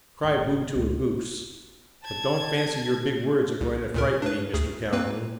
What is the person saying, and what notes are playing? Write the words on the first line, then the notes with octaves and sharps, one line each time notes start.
Cry boo to a goose; but don't fancy your big words are going to frighten me, Mr Calhoun!
G#1
C#2
A5 G#6
C2
D2 A#2 A#4
D4 B4
D2 G#4
A#3 C4 B4